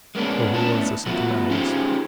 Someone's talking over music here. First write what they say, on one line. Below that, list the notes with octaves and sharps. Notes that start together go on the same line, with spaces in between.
Well, he was a sentimentalist.
G#3 A#3 B3 C#4 D4
A2 B3 C#4 D4 E4 A5
F3 A3 B3 F4 F#4
C#4 D#4 F4 G4 G#4 C5